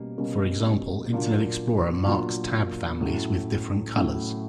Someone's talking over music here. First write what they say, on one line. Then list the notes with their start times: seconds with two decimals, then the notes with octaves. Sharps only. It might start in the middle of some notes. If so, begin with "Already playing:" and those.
For example, Internet Explorer marks tab families with different colours.
Already playing: B2 G3 A#3 C#4
0.18 B2 G3 A#3 C#4
1.12 A#2 F#3 A#3 D4 F4
2.07 A#2 F#3 A#3 D4 F4
3.00 A2 F#3 A3 C#4 E4
3.96 A2 F#3 A3 C#4 E4